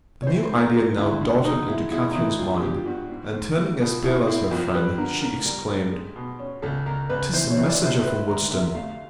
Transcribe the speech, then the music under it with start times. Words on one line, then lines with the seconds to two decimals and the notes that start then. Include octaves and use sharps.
A new idea now darted into Catherine's mind, and turning as pale as her friend, she exclaimed, "'Tis a messenger from Woodston!"
0.22 C#5
0.27 E3 C5
0.51 G#2
0.62 A#4
0.74 G#3
0.98 D2 E4
1.21 D2
1.45 D3 D#4
1.68 G#3 E4
1.92 G#3 E4
2.11 D#4
2.15 E3 E4
2.39 G2 F4
2.56 G#4
2.62 G2 G4
2.74 F4
2.86 G2 F#4
3.09 G#2
3.33 G#2
3.57 A3
3.80 B2 F4
4.03 B2 E4
4.27 C4 E4
4.51 F2 F4
4.74 G3 B4
4.98 D3 A#4
5.21 C#3 A#4
5.45 G3 A#4
5.68 G3 A4
5.92 G#3
6.16 B2
6.39 C#4
6.62 C#2 A4
6.86 C#2 A#4
7.09 C#2 B4
7.33 E3 C5
7.51 C#5
7.57 E3
7.68 D5
7.80 C3
7.86 C5
8.04 C3 B4
8.28 D2 A#4
8.51 C3 E5
8.75 A3 F5